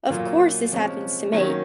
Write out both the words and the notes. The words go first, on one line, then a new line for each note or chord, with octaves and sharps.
"Of course, this happens to me."
A#2 F#3 A#3 F4
C3 F3 G#3 C#4
D#3 F#3 A#3 C#4